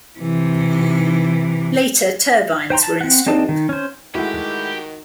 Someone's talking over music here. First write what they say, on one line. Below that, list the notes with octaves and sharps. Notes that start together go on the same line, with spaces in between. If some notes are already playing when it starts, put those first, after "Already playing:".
Later turbines were installed.
C3 E3
C5 G5 A#5 C6
A5
C4 F#5
C4 D4 D#4 A5
D#3
C#4 C5
D#3 G#3 A3 E4 F#4 G4 F#5